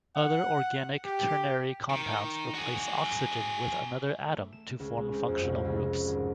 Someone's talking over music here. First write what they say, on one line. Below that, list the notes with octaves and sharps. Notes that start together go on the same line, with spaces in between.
Other organic ternary compounds replace oxygen with another atom to form functional groups.
F#5
G4
D#3
F#4 G#4
A3
E7
C#2
G#3
C4
F2
C2
C#2
G#1